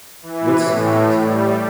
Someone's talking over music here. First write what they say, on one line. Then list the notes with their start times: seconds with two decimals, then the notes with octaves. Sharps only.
What's s
0.22 E3
0.59 A2
1.21 G3